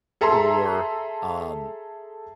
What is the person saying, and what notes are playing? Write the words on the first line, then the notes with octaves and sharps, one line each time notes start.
or, um,
G#4 A4 E5 A#5 C6